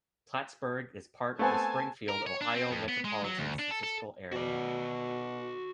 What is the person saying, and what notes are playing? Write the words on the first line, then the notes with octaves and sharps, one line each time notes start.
Plattsburgh is part of the Springfield, Ohio Metropolitan Statistical Area.
A3 B3 C4 G#5 A5
A#4
C#5
D4
C4
F2
B3
G#3
F#3
D2
D4
A4
A4
B2 F#4 D5